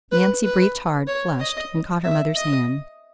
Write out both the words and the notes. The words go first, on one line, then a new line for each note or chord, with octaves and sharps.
Nancy breathed hard, flushed, and caught her mother's hand.
B4
B4
C#5
D#5
E5
D#5